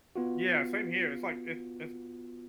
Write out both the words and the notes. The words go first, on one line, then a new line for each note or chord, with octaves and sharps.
Yeah, same here. It's like it's it's
B3 F4 F#4